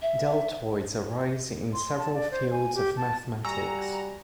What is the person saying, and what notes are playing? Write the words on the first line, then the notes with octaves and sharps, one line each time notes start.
Deltoids arise in several fields of mathematics.
E5
C6
A5
D5
C5
G#5
G4
A5
G3 F#4 G#5 A#5 C#6 E6